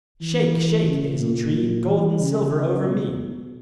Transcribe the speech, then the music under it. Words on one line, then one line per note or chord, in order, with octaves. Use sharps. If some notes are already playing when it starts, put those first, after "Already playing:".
'Shake, shake, hazel-tree, Gold and silver over me!'
E3
C#3
A#2
A#2
E3
C#3
B2